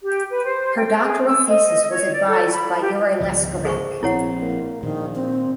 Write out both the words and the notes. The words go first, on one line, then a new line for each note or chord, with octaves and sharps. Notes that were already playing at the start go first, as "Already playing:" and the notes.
Her doctoral thesis was advised by Jure Leskovec.
G4
B4
C5
G5
G#4
E6
D#5
C#5
D5
A4
B5
G4
G#1 C#2 F3
G#4 C5 C#6
A#1 C4 E4 C#5 F#5
A#3
A#1 A#2 D#3
C4